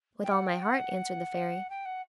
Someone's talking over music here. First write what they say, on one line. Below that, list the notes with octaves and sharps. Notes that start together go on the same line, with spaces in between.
"With all my heart," answered the Fairy.
G5
F#5
G5
F#5
G5
F#5